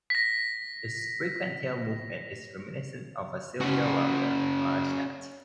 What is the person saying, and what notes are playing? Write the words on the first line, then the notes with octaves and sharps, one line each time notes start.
Its frequent tail movement is reminiscent of a "Sylvia" warbler or a chat.
A#6 B6
C#3 F#4